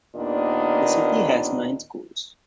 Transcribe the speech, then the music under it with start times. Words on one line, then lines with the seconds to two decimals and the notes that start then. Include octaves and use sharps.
The city has nine schools.
0.16 D#2 A#2 D#3 B3 D4 D#5